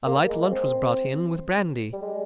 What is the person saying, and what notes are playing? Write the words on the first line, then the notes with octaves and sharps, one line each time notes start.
A light lunch was brought in, with brandy.
A#3
G#3
C4
G3
G#3